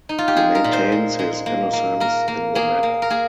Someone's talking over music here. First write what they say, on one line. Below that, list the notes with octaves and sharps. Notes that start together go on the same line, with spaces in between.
He maintains his innocence in the matter.
D#4
F4
G4
G#3 G#4
A#4
A#2
C5
G#3
G#3
A#3
A#3
A#3 A#4
A#3
A#3 G#4
A#3
A#4
A#3 G#4